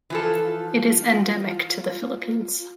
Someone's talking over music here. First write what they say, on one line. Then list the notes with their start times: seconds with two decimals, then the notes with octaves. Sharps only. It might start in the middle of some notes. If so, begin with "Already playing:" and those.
It is endemic to the Philippines.
0.10 E3 F3 F4 A4